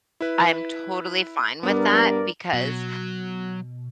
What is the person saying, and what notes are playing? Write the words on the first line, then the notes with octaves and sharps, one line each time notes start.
I'm totally fine with that because
E4 B4
G2 B3 A#4 D5
B2 F#3